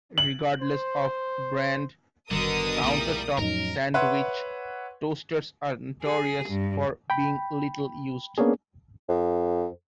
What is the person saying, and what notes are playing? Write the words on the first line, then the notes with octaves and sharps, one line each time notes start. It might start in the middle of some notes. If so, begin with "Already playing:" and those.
Regardless of brand counter-top sandwich toasters are notorious for being little-used.
F#7
C5
F#1 B2 D3 D#3 G3 A#4 D#6
B1 E2 A#2 G3 A3 B3
F2 A2 F#3 C#4 D#4 A#4
B4 C#5 E5 F#5 C6
G#4
G2
G5 B5
A#3 B3 C#4 D4 G#4
F2